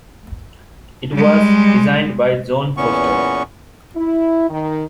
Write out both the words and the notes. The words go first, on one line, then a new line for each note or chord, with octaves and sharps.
It was designed by John Foster.
G3 G#3
E2 A#2 E3 B3 C#4 C#6
E4
D#3